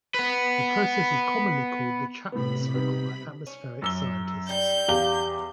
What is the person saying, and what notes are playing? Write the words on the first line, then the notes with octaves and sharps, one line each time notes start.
The process is commonly called the Chapman cycle by atmospheric scientists.
B3 B4
A2 C3 B3 B5
G3 B3 D#4
C#4
F#2 E6 G7
G3 G6
E2 G4 F5 G7